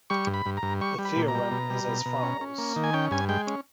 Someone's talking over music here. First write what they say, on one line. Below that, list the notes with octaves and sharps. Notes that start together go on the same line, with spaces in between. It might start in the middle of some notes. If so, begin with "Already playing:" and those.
The theorem is as follows.
G3 C#6
G2
B5
G2
A#5
G2
G3 C#6
G3
B5
A#2
A#5
G3
B2
G3
B2
B2
C#4
C#4
A#3
D#3
G#5
C#4 G5
G2 G#5
G#3 G5
C#4